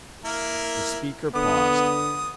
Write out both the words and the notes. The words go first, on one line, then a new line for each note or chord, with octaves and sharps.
The speaker paused.
A#3 E4 A#4
D3 B3 D#6